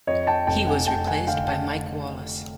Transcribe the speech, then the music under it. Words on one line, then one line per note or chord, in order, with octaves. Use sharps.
He was replaced by Mike Wallace.
F2 C#5 D#5
G5 A5
F1 G5 A5
F#5 G#5
F1 G5 A5
F#5 G#5
D3 F5 G5
G5 A5